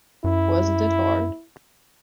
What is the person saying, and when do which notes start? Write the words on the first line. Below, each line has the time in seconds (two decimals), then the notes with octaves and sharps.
Wasn't it hard?
0.24 F#2 E4